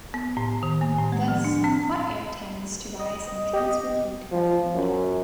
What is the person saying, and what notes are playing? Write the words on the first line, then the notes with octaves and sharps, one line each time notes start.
Thus, hot air tends to rise and transfer heat upward.
B3
A2
D#3
A#3
A2
G#3
F3
D4
C4
D#5
G4 D#5
F3
F#2